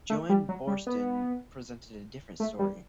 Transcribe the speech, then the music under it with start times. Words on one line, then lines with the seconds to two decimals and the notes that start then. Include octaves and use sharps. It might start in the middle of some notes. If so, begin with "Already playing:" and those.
Joan Borsten presented a different story.
0.10 A3
0.29 G3
0.49 F#3
0.67 G3
0.87 B3
2.40 A3
2.59 G3